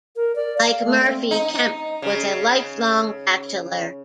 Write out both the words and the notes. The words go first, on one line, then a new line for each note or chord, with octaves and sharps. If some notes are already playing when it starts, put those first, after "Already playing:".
Like Murphy, Kemp was a lifelong bachelor.
A#4
D5
F5
A3
C4
D#4
C#3